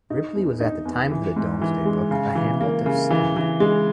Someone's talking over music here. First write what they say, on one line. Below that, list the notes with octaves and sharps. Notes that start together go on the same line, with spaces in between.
Ripley was at the time of the Domesday Book a hamlet of Send.
D#4
E2
D#4
E2
E3
G#2
E3
G#3
C#3
E3
A#3
C#3
E3
E3
G#3